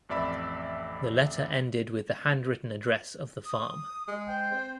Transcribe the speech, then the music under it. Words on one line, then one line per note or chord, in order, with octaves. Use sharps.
The letter ended with the handwritten address of the farm.
A1 F2 D5 E5 B5
D#6
G#3
C5 G5
C4